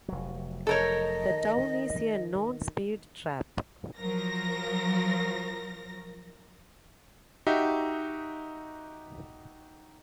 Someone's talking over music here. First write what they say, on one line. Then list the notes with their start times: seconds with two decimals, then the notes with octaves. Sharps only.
The town is a known speed trap.
0.08 F1 F#3
0.67 A4 A#4 C#5 D#5
1.30 D#3
3.98 F3 F#3 A#4 A#6
7.47 D#4 F#4 G4 E5